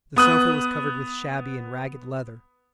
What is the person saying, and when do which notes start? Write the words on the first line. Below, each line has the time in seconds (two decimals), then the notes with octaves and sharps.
The sofa was covered with shabby and ragged leather.
0.16 B3 D#6 F#6